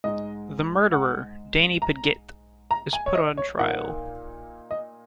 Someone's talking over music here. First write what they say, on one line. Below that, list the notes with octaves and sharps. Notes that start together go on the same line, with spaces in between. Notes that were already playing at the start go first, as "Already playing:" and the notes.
The murderer, Danny Padgitt, is put on trial.
G#2 G#3 D#4 D#5
F#5
A#5
A#5
G#5
C#5
D#5
C#5
A#2 A#3 D#4 F#5
D#5